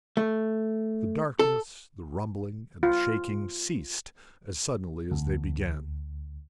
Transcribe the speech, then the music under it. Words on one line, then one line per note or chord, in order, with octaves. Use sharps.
The darkness, the rumbling, and the shaking ceased as suddenly as they began.
A3
A4
F4
D2